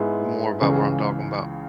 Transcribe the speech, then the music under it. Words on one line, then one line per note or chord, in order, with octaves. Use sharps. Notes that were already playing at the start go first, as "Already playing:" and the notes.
more about what I'm talking 'bout,
Already playing: G#2 G#3 B3 E4 G#4
C#2 C#3 E3 C#4 G#4